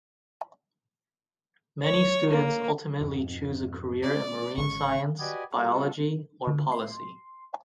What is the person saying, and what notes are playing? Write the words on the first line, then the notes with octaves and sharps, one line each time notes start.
Many students ultimately choose a career in marine science, biology, or policy.
C#5
A#3
F2 G#2 B2
D5
G#1 G#3 C#4 C#6
F#4 G4 B4 D5 D#5 G#5
G3 F4 F#4 A4
D3
C6